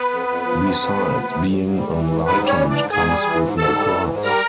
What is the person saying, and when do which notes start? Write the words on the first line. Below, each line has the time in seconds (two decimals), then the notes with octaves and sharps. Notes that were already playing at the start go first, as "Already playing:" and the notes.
Besides, being enlightened comes with no price.
Already playing: B3 B4
0.11 F2
0.27 F2
0.44 F3
0.60 C3
0.76 F2
0.94 F2
1.10 F3
1.27 C3
1.43 F2
1.60 G#2
1.76 G3
1.92 E3
2.09 G#2
2.26 G#2 B3 B4
2.42 G3
2.47 C#4 C#5
2.59 E3
2.70 D4 D5
2.75 G#2
2.91 G#2 G#4 G#5
3.08 G3
3.25 E3
3.41 G#2
3.57 G#2 A4 A5
3.74 G3
3.91 E3
4.08 G#2
4.23 G3 A#4 A#5